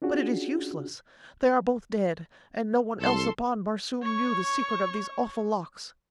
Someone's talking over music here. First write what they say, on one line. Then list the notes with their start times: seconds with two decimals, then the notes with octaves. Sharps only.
But it is useless, they are both dead and no one else upon Barsoom knew the secret of these awful locks.
0.02 C#4 D4 F4 F#4 G#4
3.00 C2 A4 C6
4.02 C#5 C#6